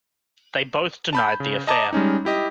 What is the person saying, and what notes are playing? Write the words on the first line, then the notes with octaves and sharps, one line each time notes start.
They both denied the affair.
A5 B5 G6
C#3
D#5 A5 A#5 D6
G3 G#3 C#4 D#4
E4 G4 D#5